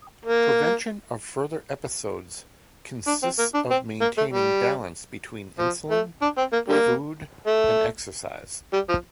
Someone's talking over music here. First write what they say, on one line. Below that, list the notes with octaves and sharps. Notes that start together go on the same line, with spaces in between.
Prevention of further episodes consists of maintaining balance between insulin, food, and exercise.
A#3
D4
C4
A#3
D4
C4
A#3
A3
G3
F3
A3
D4
C4
A#3
D3 G3 A#3
A3
G3
F3